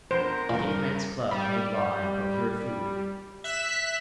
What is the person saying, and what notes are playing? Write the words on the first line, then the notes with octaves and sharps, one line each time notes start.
The cave man's club made law and procured food.
F2 B3 D4 A#4 C5
E2 G2 A#2
G3
E5 F#6 B6 E7